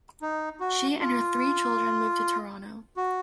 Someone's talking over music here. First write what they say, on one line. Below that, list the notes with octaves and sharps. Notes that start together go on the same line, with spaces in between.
She and her three children moved to Toronto.
D#4
F#4
F4
F#4